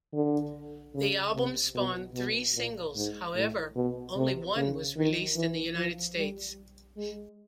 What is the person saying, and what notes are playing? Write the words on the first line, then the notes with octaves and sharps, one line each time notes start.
The album spawned three singles, however only one was released in the United States.
D3
C#3
C3
B2
B2
A#2
G#2
A2
B2
C3
C#3
D#3
E3
F3
G3
G#3